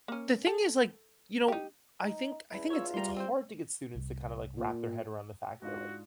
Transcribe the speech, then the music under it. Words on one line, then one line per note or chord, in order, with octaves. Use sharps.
the thing is, like, you know, I think I think it's it's hard to get students to kinda, like, wrap their head around the fact that, like,
A#3 C#4
A4
D#4 G4
D#4
E2 C#4 E4
F4 C#5 E6
G3 A#5 C6
C4 C5
C2
A#2
G#2 D4 F4 F#4